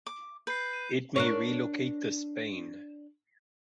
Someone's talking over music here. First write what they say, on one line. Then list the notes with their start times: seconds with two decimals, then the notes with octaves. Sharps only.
It may relocate to Spain.
0.06 D6
0.47 B4 G6 C7
0.73 D#7
1.16 D4 A#4 C#5